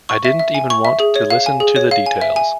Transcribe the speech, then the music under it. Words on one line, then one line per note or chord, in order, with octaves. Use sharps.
I didn't even want to listen to the details.
C#6
E5
E5
G#5
C#6
E5
G#4
C#5
F5
G#5
G#4
C#5
F5
G#5
E5
G#5